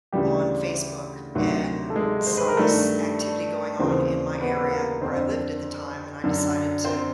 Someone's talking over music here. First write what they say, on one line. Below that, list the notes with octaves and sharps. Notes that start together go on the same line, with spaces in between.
on Facebook and saw this activity going on in my area where I lived at the time and I decided to
D2 C#3 E3 G3 G4
D2 C3 D#3 F#3 F#4
A4
G#3 G#4
C5
B4
A#4
G2 D#3 A3 A4
D#2 C#3 E3 C4 C5
B3 B4
B3 B4
A#3 A#4
F2 D3 C4 C5
F#2 D3
C4 C5